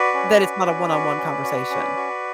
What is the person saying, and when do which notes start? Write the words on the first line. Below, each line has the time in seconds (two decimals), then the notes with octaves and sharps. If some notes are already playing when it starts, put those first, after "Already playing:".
Then it's not a one-on-one conversation,
Already playing: F#4 B4 D5
0.14 C#4
0.40 F#4
0.66 C#4
0.92 F#4
1.18 C#4
1.44 F#4
1.70 C#4
1.96 F#4